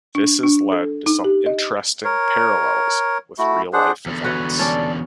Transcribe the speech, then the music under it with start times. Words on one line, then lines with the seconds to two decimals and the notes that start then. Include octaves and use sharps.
This has led to some interesting parallels with real-life events.
0.15 D4
0.43 D4
0.72 A4
1.06 D#4
1.24 G4
1.46 D#5
2.04 A#4 C#5
3.39 A3 E4 F#4
3.73 D4 G#4 C5 F#5
4.06 E2 D3
4.24 F#4 B4 C#5
4.59 C#4 A4 D5